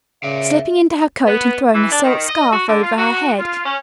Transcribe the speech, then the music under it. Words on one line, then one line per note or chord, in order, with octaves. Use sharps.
Slipping into her coat, and throwing a silk scarf over her head.
C#3 D5 E5 F5
B3
E3
D4
D#3
D#5
F#4
D3
F4
F#4
F4
C#4